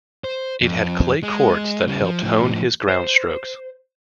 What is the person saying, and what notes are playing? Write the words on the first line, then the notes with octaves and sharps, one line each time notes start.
It had clay courts that helped hone his groundstrokes.
C5
F2
G#3
C#3 G3
F3
A2 F3
C5